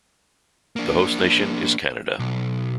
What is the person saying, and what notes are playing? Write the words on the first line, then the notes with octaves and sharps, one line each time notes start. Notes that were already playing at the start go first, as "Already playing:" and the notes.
The host nation is Canada.
A#3 D4
B1